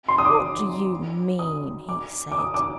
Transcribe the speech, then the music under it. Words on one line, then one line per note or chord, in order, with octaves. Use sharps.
'What do you mean?' he said.
C6
D#6
D6
D#6
D6
D6
D#6
D6